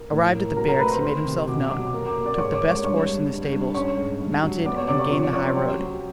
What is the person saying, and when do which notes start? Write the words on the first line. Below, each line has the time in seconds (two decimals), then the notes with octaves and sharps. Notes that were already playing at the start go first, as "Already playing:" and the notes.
Arrived at the barracks he made himself known, took the best horse in the stables, mounted and gained the high road.
Already playing: A#4
0.12 A2
0.34 A#3
0.56 F#3 A#4 A#5
0.68 A#4 A#5
0.79 A3 B4 B5
0.91 C5 C6
1.03 D#3
1.25 C3
1.48 B2 D6
1.67 F#3 D6
1.87 D6
1.93 A#3
2.06 D6
2.16 A#3
2.26 D5 D6
2.38 G#2 C#5 C#6
2.53 D5 D6
2.61 G#3
2.68 C#5 C#6
2.84 G2 C#5 C#6
3.07 G2
3.29 G2
3.52 G2
3.74 C#4 C#5 C#6
3.97 G#2
4.20 G2
4.43 F#3
4.66 B3 D5 D6
4.77 C#5 C#6
4.88 C3 D5 D6
4.99 C#5 C#6
5.10 F3 C#5 C#6
5.22 D5 D6
5.33 C#4 C#5 C#6
5.45 C5 C6
5.56 F#3 G4 G5
5.79 F#3